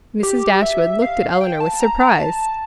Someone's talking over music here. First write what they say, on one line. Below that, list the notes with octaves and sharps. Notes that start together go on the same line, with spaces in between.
Mrs. Dashwood looked at Elinor with surprise.
G4
E5
F5
G5
A5
A#5
A#5
A#5
A5